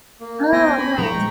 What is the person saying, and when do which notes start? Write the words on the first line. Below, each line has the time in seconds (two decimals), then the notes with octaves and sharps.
Oh, nice.
0.20 A#3
0.53 B3 C5 G5 G#5 A#6
0.78 D4 B5 C#6
0.98 A#2 E3 F3 G3 G#4 G5 A#5 C#6
1.15 G#3